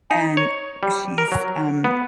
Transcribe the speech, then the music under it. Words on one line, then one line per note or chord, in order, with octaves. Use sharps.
and she's, um,
D#4
C#5
G3
A#4
F#3
B3